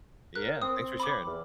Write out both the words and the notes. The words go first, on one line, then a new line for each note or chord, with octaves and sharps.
Yeah, thanks for sharing.
A#4 F#6
C4 D#6
B5 D6
E2